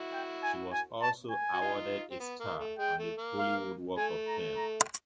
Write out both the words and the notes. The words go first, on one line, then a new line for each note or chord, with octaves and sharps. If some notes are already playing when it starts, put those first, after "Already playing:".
She was also awarded a star on the Hollywood Walk of Fame.
Already playing: E4 F#4
G5
G#5
G#5
A5
G#5
F#4
D#4 F4
C4
B3
A#3
A3
G#3 G5
A3
A#3
F5
A3 G#5
A#5
A#5